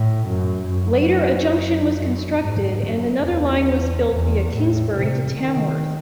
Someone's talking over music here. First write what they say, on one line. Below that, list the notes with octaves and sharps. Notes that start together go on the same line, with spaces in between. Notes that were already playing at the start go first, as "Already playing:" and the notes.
Later a junction was constructed and another line was built via Kingsbury to Tamworth.
Already playing: A2
F#2
F#2
F#2
G#2
F#2
E2
E2
A2
C3
D#3